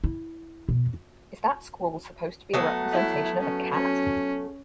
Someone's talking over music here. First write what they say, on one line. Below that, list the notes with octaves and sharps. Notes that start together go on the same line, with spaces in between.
Is that scrawl supposed to be a representation of a cat?
E4
B2
F#3 A3 B3
E4
C#4
C#4